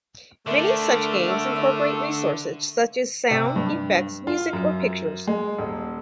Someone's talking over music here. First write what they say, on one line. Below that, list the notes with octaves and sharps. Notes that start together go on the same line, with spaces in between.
Many such games incorporate resources such as sound effects, music, or pictures.
D3 A3 A#4 E5
C3
G2
F4
F#2
G#3
D#1